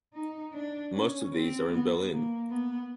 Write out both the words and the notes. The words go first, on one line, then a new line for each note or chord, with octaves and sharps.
Most of these are in Berlin.
D#4
D4
C#4
C4
B3
A#3
B3